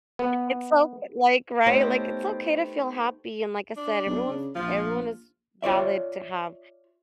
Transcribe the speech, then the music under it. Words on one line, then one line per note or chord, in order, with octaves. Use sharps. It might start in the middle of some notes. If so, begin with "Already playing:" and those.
it's so eh, like, right? Like, it's okay to feel happy, and like I said, everyone's everyone is valid to have
B3
A3 B3 D#4 G4 C5 C#5
D4
B1
C#3
A#1 F3 F4
F4 C#5 D5 E5